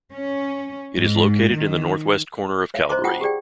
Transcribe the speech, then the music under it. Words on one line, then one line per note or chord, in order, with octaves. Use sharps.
It is located in the northwest corner of Calgary.
C#4
G#2
D#3
C#5 E5 F5
C5 D#5 A#5 C6 D6
F4 F#5 G5 A5 D#6
G4 G#4 D5 G5